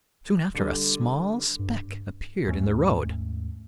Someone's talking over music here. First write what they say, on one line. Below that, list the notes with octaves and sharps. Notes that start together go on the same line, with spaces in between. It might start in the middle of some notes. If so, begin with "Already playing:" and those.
Soon after a small speck appeared in the road.
D3 G3
G2
D#2 G#2 A3 C#4